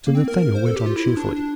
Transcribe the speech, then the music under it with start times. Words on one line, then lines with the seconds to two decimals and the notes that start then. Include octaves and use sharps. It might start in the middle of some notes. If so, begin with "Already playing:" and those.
Sir Nathaniel went on cheerfully.
0.07 A#3
0.15 C4
0.28 A#4
0.42 A#4
0.55 C5
0.66 A4
0.76 G4
0.86 F4
0.96 E4
1.17 D4
1.36 D4